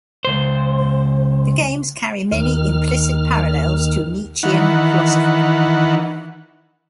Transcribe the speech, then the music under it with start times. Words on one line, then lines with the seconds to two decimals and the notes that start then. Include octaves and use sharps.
The games carry many implicit parallels to Nietzschean philosophy.
0.25 C#2 C5
2.32 D#2 D#3 F6
4.43 D#3 E3 F#5